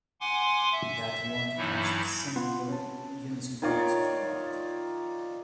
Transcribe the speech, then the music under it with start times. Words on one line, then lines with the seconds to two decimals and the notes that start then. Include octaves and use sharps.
In the Toronto Township Cemetery, John C. Woods is buried.
0.21 F#5 G#5 C6 D6
0.72 E5
1.57 G2 E3 F#3 D#4 E4
2.36 B3 F4 B4 F#5 C6
2.68 C#4 A5
3.62 D#3 D#4 F4 C#5 D5